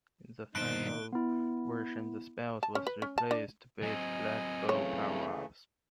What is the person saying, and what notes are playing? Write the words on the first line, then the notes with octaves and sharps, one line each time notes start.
In the final version, the spells were replaced with collectible powerups.
G2 B2 D#3 D#4 C5 F#6 D7 G7
B3 E4
A5
C#4
B4
C#4
A5
D4
F#3 C4 D#5 G#5
C#3 E3 A3 C#5